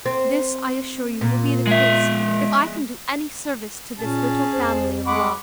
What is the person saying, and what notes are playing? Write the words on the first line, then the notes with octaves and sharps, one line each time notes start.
This, I assure you, will be the case, if I can do any service to this little family of love.
C4
A#2
G#3 E5
A#2 C#4 G#4 A5
F2 C5
G#3 F#5 B5 C#6 D6